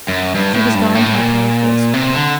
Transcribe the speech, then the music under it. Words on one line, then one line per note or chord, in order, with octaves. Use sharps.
She was gone to the parochial school.
F#2
G2
A2
G2
A2
A#2
C3
D3